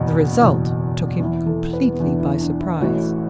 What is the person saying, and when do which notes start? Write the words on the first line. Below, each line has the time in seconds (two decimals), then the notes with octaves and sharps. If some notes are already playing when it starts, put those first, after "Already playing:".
The result took him completely by surprise.
Already playing: F#1 E2 B2
0.40 F#1 E2 B2
1.19 E2 E3 E4
1.46 A4
1.73 B4
1.94 B3
2.00 E2 E3 D4
2.20 E4
2.41 D4
2.60 E4
2.81 A1 A2 E3 F#4